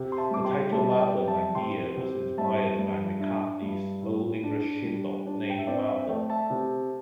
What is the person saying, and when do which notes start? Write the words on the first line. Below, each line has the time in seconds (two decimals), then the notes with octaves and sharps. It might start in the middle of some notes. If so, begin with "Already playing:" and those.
The title "Martha My Dear" was inspired by McCartney's Old English Sheepdog, named Martha.
Already playing: C3
0.12 C6
0.18 E5 A5
0.31 G3 D6
0.44 G5 C6
0.72 G3 E5 A5
0.90 A5
1.00 D5 G5
1.14 C3
1.27 E5 A5
1.55 C3 G5 C6
1.97 C3
2.38 G2 E5 A5
2.79 G2
3.20 D4 E5
3.62 G2
4.02 A2
4.43 D4
4.84 G3
5.27 D4
5.50 G5
5.58 E5
5.67 C4 D5
5.88 E5
6.09 A3 D5 G5
6.30 E5 A5
6.50 C3